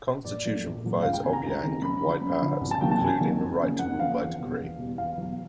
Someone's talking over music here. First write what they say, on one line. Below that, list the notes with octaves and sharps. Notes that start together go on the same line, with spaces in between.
The constitution provides Obiang wide powers, including the right to rule by decree.
A#1 D5
A#2 F#3 A3
A#1
A#2 F#3 A3
C#2 F5
G5
C3 D#3 G#5
A#5
C#2
C3 D#3
F#2 B5
D3 F3
F#2
D3 F3
C2
A5
C3 D#3 F#3 A#3 G5
A5
C2 G#5
C3 D#3 F#3 A#3
F2
C#3 F3 A#3
F2 F#5
C#3 F3 A#3 F5
E2
B2 G3
E2
B2 G3
E2 F5
B2 F#3